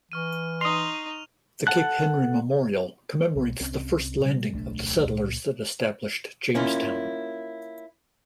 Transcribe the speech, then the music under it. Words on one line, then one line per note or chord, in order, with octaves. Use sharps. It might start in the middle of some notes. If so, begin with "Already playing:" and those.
The Cape Henry Memorial commemorates The First Landing of the settlers that established Jamestown.
E3 C#6 F6 D#7
D#4 C6 D#6 F7
A4 F#5 A5 F#6
B1 B2
C2 C4 C#4
B2 G3
D1 B1 A3 D4
C#2 A#2
A#3 C#4 E4 F4